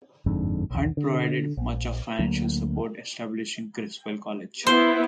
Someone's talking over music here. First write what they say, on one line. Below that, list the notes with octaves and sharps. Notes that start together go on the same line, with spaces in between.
Hunt provided much of the financial support establishing Criswell College.
G1 F2 G#2 D3
B1 E2
D3
A#1
D2 F#3 A#3
B3 E4 C5